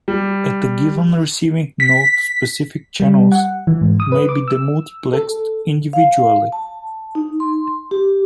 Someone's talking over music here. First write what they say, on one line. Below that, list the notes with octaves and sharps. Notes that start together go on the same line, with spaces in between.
At a given receiving node, specific channels may be demultiplexed individually.
G3
B6
G3
F#5
E3
G#2
D#6
B4
D6
E6
A4
F5
A5
D#4
C6
G4